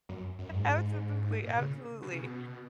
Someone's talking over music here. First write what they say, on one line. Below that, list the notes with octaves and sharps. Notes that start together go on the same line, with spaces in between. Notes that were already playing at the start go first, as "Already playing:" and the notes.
Absolutely. Absolutely.
F#2
F#2
G#2
A#2
C#3
B2
C#3
B2